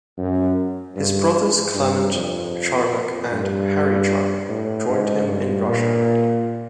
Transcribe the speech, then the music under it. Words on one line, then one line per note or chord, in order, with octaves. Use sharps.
His brothers Clement Charnock and Harry Charnock joined him in Russia.
F#2
G2
G2
F2
F2
G2
A2
G#2
G2
A#2